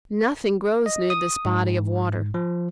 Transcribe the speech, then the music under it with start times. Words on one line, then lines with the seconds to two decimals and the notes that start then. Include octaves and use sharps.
Nothing grows near this body of water.
0.86 D#5
1.10 D#6
1.45 G#2
2.34 F3